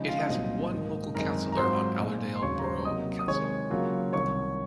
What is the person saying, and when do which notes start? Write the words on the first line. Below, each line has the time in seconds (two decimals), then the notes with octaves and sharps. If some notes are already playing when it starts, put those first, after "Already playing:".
It has one local councillor on Allerdale Borough Council.
Already playing: C#3 F3 G#3 D#4
0.08 F4 F5
0.18 D#4 D#5
0.29 C2 A#2 F#3 C4 D#4 F4 D#5
0.72 G#2 D#3 A#3
1.14 F#2 D#3 G#3 C4 D#4 A#4 A#5
1.52 A#5
1.57 G#2 F#3 C4 F4 C5 C6
2.00 A#2 G#3 D#4
2.35 C6
2.42 D#2 C#3 F#3 C#5 C#6
2.59 A#5
2.64 C5 C6
2.85 C3 F#3 A#3 D#4 D#5 D#6
3.19 D#6
3.28 C3 D#3 G#3 C#5 C#6
3.70 C#3 F#3 A#3 F4
4.13 C2 C3 D#3 C#5 C#6